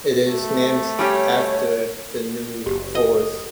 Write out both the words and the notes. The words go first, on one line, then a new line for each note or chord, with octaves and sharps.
It is named after the New Forest.
A3
G3 C#4 G4 C#5
F#1 F#4 G4
D#5